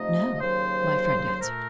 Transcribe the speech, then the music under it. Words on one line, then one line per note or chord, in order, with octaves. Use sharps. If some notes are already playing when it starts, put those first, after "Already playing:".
"No," my friend answered.
Already playing: C3 F3 A3 D#4 D#5
D#2 C#3 F#3 C5
A#2 A3 A#4